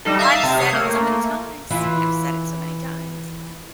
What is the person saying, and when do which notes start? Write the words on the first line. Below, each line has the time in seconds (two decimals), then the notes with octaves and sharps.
I've said it so many times. I've said it so many times.
0.05 G3 D#4 A4
0.19 E5 F5 A5 D#6
0.43 C3
0.58 C#5 D#6 C7 C#7
0.73 A3 A#3
1.71 E3 E4 F4